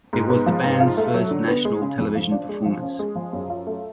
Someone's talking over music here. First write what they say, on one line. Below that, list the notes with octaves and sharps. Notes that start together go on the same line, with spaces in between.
It was the band's first national television performance.
G#2
B3
F3
G#2
F4
A3
F#3
D3
B3
G#3
C#3
F2
F3
D4
G#3
F3
C#4
G#3
F3
F#2
F4
A3